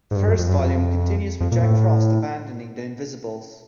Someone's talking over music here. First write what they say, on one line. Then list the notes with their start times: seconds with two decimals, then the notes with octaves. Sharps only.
The first volume continues with Jack Frost abandoning the Invisibles.
0.11 G#2
0.15 G2
0.27 F#2
0.39 F2
0.49 F#2
0.58 F2
1.40 F2
1.52 A#2
1.63 A2